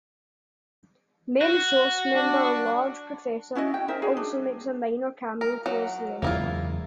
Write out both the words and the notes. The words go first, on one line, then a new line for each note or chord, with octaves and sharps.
Main Source member Large Professor also makes a minor cameo towards the end.
F#4
D4
C#4 E4 F#4 D#5
G5
D#4 A#4 C5 E5
F#4 G#4 C#5
D4
A#4
F#3
F#1 E2 G#3 A#3 E4 F4